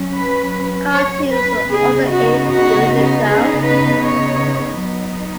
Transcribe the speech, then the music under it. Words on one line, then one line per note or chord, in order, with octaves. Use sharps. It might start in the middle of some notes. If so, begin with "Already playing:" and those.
Cartoons were also aired during the show.
Already playing: F#3 C#4
B4
C#5
B4
C#3 B3 D#4 G#4
F#4
F#4
G#4
B4
C#5
F#3 B3 D#4